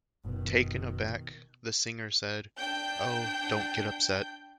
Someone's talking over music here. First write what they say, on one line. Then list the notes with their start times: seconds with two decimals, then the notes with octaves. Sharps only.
Taken aback, the singer said, Oh, don't get upset.
0.25 F#1 B2 D#3
2.58 D4 G5 G6